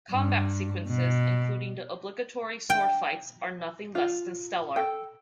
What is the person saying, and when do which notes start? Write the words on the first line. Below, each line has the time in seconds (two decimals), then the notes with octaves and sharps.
Combat sequences, including the obligatory sword fights, are nothing less than stellar.
0.12 G2
0.88 B2
2.70 G5
3.95 F4
4.76 A4 G5